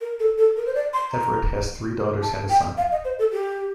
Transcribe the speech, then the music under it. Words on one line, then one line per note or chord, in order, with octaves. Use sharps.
Everitt has three daughters and a son.
A#4
A4
A4
A#4
C5
D5
C6
A#5
A5
G5
F5
D#5
C5
A4
G4